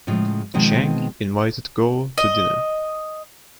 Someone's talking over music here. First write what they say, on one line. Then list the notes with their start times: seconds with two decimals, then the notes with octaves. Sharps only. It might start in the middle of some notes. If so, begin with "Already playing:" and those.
Cheng invited Guo to dinner.
0.07 A2 C#3 F3 G#3
0.54 B2 D#3 F3 G#3 B3 C4
2.18 D#5